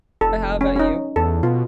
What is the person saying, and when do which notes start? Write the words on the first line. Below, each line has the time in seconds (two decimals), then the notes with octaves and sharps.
But how about you?
0.21 F1 A4
0.61 C#4
0.76 C#4 D#4
1.16 E2 A4
1.43 B2 F4